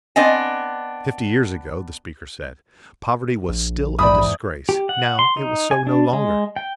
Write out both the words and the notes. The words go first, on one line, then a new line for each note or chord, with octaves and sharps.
Fifty years ago, the speaker said, poverty was still a disgrace, now it was so no longer.
B3 C4 D4 D#5 G#5
A#1
E2 G#2 D5 B5 D#6
G4
F#5
C6
D#4
G#5
D4
G#3
G5